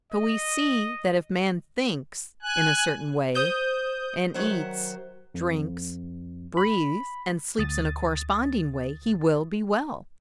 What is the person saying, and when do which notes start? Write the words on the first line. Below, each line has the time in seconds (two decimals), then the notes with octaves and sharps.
So we see that if man thinks in a certain way, and eats, drinks, breathes, and sleeps in a corresponding way, he will be well.
0.12 D#5
2.42 G#5 F#6
3.35 C5 D#6 G6
4.34 D#3 F#3 C5 E5 F#5
5.34 F2
6.57 B5
7.58 D2 D#6 A6